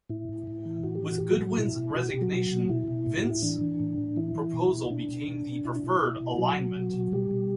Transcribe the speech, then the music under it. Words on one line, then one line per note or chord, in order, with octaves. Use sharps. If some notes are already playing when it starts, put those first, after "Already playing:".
With Goodwin's resignation, Vint's proposal became the preferred alignment.
A2 E4
A2
A2
E3
A2 F#4
G4
E3 F#4
A2 G4
F#3 F#4
A2
B2 E4
B2
B2 F#4
G4
B2
F#3 F#4
B2
B2
B2 E4
B2
A2
F#4
A2
E4
E3 D4
E3
A2
A2
E3 E4
E3
B2
B2
B2 D4
B2
B2
B2
B2 E4
D4
B2 E4
B2
B2
B2 F#3 F#4
B2
B2
B2
B2 G3 G4
B2